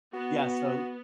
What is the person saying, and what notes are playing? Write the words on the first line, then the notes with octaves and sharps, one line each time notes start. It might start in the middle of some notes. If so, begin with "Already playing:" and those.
Yeah, so
B3 F#4